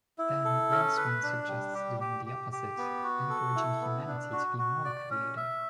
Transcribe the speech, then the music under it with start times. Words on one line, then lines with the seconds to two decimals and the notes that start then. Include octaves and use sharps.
Then Rincewind suggests doing the opposite, encouraging humanity to be "more" creative.
0.18 E4
0.45 A4
0.71 C#4
0.97 B4
1.23 D4
1.48 G3
1.74 G4
2.00 G4
2.26 G4
2.52 G4
2.78 B3
3.03 F#4
3.29 A4
3.55 E4
3.81 B3
4.07 D4
4.32 F#4
4.58 F#4
4.85 D5
5.10 C#4
5.37 E5